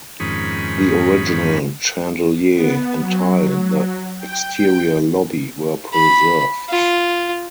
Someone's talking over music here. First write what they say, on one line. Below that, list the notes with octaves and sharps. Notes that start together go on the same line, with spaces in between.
The original chandelier and tile in the exterior lobby were preserved.
F2 G#2 D#3 C#4 B5
B3
F#3
G5
B5
F4